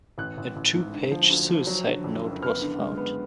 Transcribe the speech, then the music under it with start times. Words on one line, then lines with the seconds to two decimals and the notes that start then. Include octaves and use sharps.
A two-page suicide note was found.
0.18 A1 F#6
0.37 A1
0.56 A1
0.75 G#2
0.93 D3
1.11 F3
1.30 D2
1.49 F3
1.67 F#3
1.86 D3
2.04 F2
2.24 F#1
2.43 B3 F6
2.61 D3
2.79 G#3
2.97 B3